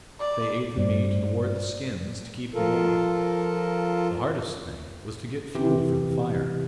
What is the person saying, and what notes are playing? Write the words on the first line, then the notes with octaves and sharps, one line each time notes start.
They ate the meat and wore the skins to keep them warm. The hardest thing was to get fuel for the fire.
D5
G2 C5 D5
F3 F4 A4 A#4
C3 E3 G4